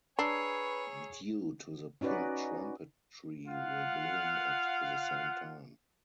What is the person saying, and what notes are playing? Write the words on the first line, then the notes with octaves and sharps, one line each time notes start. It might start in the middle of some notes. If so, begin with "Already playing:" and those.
Due to the pink trumpet tree will bloom at the same time.
D4 G#4 B4 C#5 A#5 E6 C7
C#4 D#4 F#4 B4 D5
F4 F5 F#5